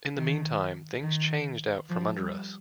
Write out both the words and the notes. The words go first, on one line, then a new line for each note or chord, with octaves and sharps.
In the meantime, things changed out from under us.
D#3
D#3
F3
G3